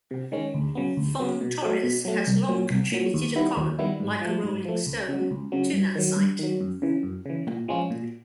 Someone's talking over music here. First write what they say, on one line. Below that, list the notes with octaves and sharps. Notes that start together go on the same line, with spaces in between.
Fong-Torres has long contributed a column, "Like a Rolling Stone," to that site.
C3
D#3 G#3 C#4
D2
C#3 F#3 B3
D2
C#3 F#3 B3
B2
F#3 A3
B2
F#3 A3
C2
A#2 F#3
C2
A#2 F#3
D#2
D#3 G3 B3 E4
D#2
D#3 G3 B3 E4
G#2
F3 A3
G#2
F3 A3
C#2
C#3 F#3
C#2
C#3 F#3
G2
D#3 F#3
G2
D#3 F#3
F#2
C#3 E3
F#2
C#3 E3
A#2
F3 G#3 C#4 F4
A#2